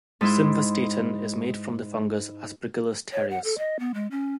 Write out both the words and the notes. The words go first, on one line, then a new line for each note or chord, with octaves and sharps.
Simvastatin is made from the fungus "Aspergillus terreus".
G#2 G#3 E4 C6
C#5
F#5
A4
D#5
B3
G#3
C#4